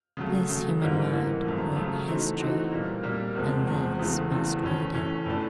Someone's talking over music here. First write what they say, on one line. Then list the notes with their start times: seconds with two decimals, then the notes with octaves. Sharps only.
This human mind wrote history, and this must read it.
0.17 C#3 F#3 A3
0.49 C#3 F#3 A3
0.80 G#2 E3 G3 A#3
1.13 G#2 E3 G3 A#3
1.44 F#2 C#3 F3 A3
1.76 F#2 C#3 F3 A3
2.07 E3 A3 C4 D#4 F#4
2.40 E3 A3 C4 D#4 F#4
2.71 A#2 G3 A#3
3.03 A#2 G3 A#3
3.35 E2 C3 F3 G#3
3.67 E2 C3 F3 G#3
3.99 E2 C#3 E3 A3 C4
4.30 E2 C#3 E3 A3 C4
4.62 A2 E3 A3 C#4
4.94 A2 E3 A3 C#4
5.26 A2 E3 A3 D4